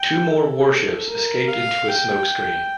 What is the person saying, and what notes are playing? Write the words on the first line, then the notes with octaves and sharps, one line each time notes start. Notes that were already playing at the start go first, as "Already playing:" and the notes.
Two more warships escaped into a smoke screen.
Already playing: G5
A4
A#4
F5
G5